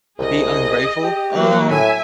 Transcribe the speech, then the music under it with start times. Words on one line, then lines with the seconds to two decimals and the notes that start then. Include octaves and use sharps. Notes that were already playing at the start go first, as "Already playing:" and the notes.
be ungrateful, um,
0.19 C2 G#4 D#5
1.04 G4
1.35 F#3 A#3 F#4
1.70 A2 E5 G#5